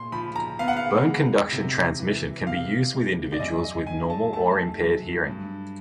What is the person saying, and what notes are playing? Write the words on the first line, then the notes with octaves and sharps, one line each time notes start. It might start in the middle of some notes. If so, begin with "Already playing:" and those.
Bone conduction transmission can be used with individuals with normal or impaired hearing.
Already playing: A#2 C6
F3 B5
A#5
B3 F5
F#5
F5
G#3
C3
E3
C3 F5
G#3
D5
F#2 D#5
D#5
D#3 G#5
A5
A3 A5
F#3
G2